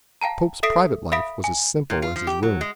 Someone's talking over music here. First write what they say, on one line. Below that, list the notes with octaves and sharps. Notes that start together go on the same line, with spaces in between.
The Pope's private life was as simple as His room.
F5 G5 A5 A#5
A4 E5 D#6 B6 C7 D7
E5 F5 B5 D#6 B6 D7
G#5
A#2
F4
F3
G4
F#3
G#3